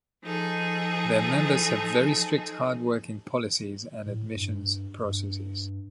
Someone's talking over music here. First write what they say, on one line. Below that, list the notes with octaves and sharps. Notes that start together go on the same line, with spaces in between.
Their members have very strict hard working policies and admissions processes.
F3 D#4 G#4 A4
A2
G2
G2